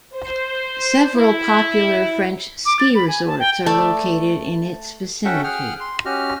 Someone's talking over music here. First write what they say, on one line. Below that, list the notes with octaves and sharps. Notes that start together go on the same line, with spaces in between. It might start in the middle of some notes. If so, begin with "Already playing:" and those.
Several popular French ski resorts are located in its vicinity.
C5
E4
D6
A6
B5
G#5
A5
G5
A3 D5 A5
C#4 F#4 A4 E5 F#5 G5
G#4 F#5 G5 F6
C6
C#4 F#4 G4 D#5 F6